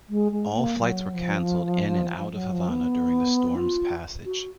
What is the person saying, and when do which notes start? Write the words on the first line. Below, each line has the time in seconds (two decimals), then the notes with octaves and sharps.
All flights were canceled in and out of Havana during the storm's passage.
0.09 G#3
0.32 G#3
0.55 A#3
0.78 F#3
1.13 F3
2.17 F3
2.34 F#3
2.52 F3
2.69 B3
3.55 F4
4.26 F#4